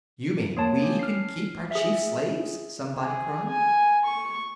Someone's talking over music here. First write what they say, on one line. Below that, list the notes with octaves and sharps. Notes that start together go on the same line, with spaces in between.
"You mean, we can keep our chief-slaves?" somebody cried.
A#3 C#5 A5
C#4
F6 C7
G#4 E5
G#4
G#5
C#6